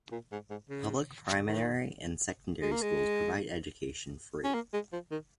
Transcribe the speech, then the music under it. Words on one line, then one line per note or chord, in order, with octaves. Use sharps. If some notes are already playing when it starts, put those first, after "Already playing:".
Public primary and secondary schools provide education free.
A#2
G#2
G#2
C#3
D#3
G#3
A#3
G#3
C#4
A#3
G#3
F3
D#3